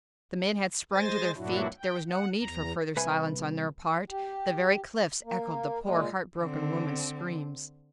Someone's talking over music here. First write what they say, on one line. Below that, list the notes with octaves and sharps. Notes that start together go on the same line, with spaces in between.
The men had sprung to their feet, there was no need for further silence on their part; the very cliffs echoed the poor, heart-broken woman's screams.
G#3 C5 G#5 A6 A#6
G2 A#2 F#3 D4 E4 F#4
G5
F#5
E2 A#5
C2 B4 E5 G#5
G4
A#3
A#2 G#3
D3 C4